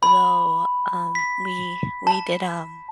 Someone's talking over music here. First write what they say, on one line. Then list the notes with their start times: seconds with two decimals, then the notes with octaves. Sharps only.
though, um, we we did, um,
0.03 B5
1.15 B6
2.07 A5